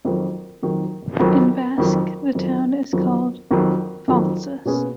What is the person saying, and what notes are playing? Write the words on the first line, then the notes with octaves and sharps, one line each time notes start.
In Basque the town is called "Faltzes".
F2 D#3 F#3
F2 D#3 F#3
F2 D#3 F#3
F2 D#3 F#3
F2 D#3 F#3
F2 D#3 F#3
F2 D#3 F#3
F2 D#3 F#3
B2 A#3 C#4 G#4 B4